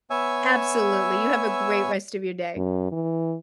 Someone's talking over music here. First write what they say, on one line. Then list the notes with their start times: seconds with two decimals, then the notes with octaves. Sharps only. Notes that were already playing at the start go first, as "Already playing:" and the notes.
Absolutely, you have a great rest of your day.
0.10 B3 C#5 E5 G#5 E6
2.56 F#2
2.92 E3